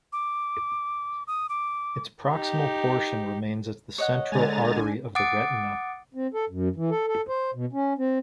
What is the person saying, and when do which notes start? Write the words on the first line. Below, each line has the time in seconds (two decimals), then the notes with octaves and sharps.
Its proximal portion remains as the central artery of the retina.
0.12 D6
1.27 D#6
1.49 D6
2.30 D#4 G4
3.98 C#5 D#5 F#5
4.32 D3 G#3 G#5 A#5 A6
5.15 F#5 D6 D#6 A6 C#7 D7
6.15 C4
6.34 A4
6.50 F#2
6.76 E3
6.91 A4
7.07 A4
7.29 C5
7.54 B2
7.73 C#4
7.98 C4